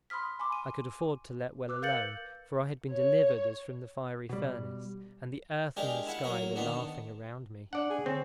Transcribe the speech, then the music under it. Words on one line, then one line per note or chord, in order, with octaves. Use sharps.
I could afford to let well alone, for I had been delivered as from the fiery furnace, and the earth and the sky were laughing around me.
B5 C6 D#6 F6 B6
G#5 B5 C6 D6
D#7
B4 D6 E6 F#6
A#4 F5 G6 A6 C#7 F#7
C#5
B2 G3
G#3 D4 G4 A#4 F5
E4 F5 F#5
F#3 A#3 A#4
D3 D#3 B3 D4
D4 D5 F#5
G#4
D3 C4 C#5